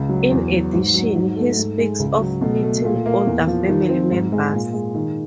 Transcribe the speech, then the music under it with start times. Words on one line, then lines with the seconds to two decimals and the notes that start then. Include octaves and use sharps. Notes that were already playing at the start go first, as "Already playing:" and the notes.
In addition, he speaks of meeting older family members.
Already playing: C#2
0.09 F#3
0.31 E2
0.52 F#3
0.73 G#2
0.94 F#3
1.15 G#2
1.36 A3
1.57 G#2
1.79 G#3
1.99 C#2
2.21 F#3
2.41 B2
2.63 A3
2.84 A#2
3.06 A#3
3.26 E2
3.47 F3
3.69 D#3
3.89 C4
4.11 G#2
4.32 G#3
4.53 A#2
4.73 G#3
4.95 D#3